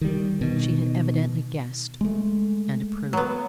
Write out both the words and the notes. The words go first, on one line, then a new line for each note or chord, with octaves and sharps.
She had evidently guessed and approved.
D#3 G3
B2 D#3
G#3 A3
F#3 B3